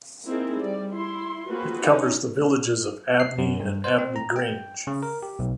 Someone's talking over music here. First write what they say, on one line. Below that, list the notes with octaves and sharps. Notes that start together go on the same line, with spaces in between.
It covers the villages of Abney and Abney Grange.
A#3 C4 D#4 E4 G#4 A#4
G3 D5
E4 C6
A#3 C4 F4 F#4 G#4 B4
C#4 D#4
C7
F#2
G2
C5
C4
A#5
G5
C#3
A#4
G4
B1